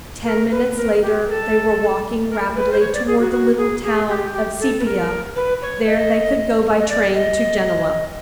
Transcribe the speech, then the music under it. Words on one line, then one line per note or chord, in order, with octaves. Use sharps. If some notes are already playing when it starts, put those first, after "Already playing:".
Ten minutes later they were walking rapidly toward the little town of Seipia: there they could go by train to Genoa.
A#4
B4
A#4
G4
A#4
A4
A#4
B4
C5
C#5
D5
G#4
F#4
F#4
G#4
G#4
G4
G4
A4
B4
A#4
B4
C#5
D#5
D#5
D5
D#5